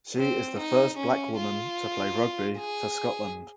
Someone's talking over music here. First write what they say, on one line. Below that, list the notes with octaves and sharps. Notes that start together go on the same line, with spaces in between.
She is the first black woman to play rugby for Scotland.
C4
D#4
C#4
F4
G#4